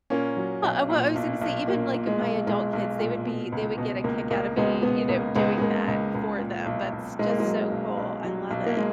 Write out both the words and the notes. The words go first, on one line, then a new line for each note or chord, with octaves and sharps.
eh, well I was gonna say, even, like, my adult kids, they would be they would get a kick outta me, you know, doing that for them, that's just, so cool, I love it,
A#2 A#3 C#4
F#3
B1
A#2
B1
B1
A#2 A#3
A#2
G#3
B1
B1 G#3
B1
A#2
B2
C#2
B2
C#2 A#3
C#2 A#3
C#2 G#3 B3
B2 G#3 B3
C#2 A#3
C#2 G#3 B3
G#3
C#2 A#3
C#2
C#2
A#2
B1
B1
B1 G#3
A#3
F#3 G#3
B1
B1
F#3
B1
A#3
G#3